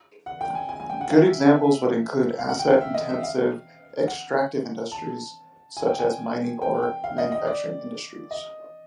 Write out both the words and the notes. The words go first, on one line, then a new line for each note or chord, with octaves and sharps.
Good examples would include asset-intensive extractive industries such as mining, or manufacturing industries.
F#5
G5
G#5
G#5
G#5
G5
F#5
F5
E5
E5
F5
F#5
G5
F5
E5
D#5
E5
F5
F#5
A5
G#5
G5
G#5
G5
G5
F5
D#5
D#5
D5
D#5